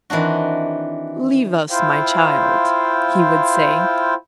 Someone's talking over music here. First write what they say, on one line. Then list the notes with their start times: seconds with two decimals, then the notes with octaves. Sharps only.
"Leave us, my child," he would say.
0.10 D#3 E3 C4 D4 F#4
1.71 E4 F4 C5 F5 G5